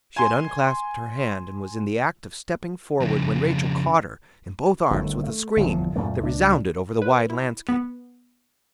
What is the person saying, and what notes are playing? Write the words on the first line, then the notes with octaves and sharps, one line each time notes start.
She had unclasped her hand, and was in the act of stepping forward, when Rachael caught her in both arms with a scream that resounded over the wide landscape.
G#5 C6
F2 C#3
G1 D#3 A3
A3
G1 E2 A#2 F3
F#2 A#2 A3 A#3
C#2 D4
B4
E4
B3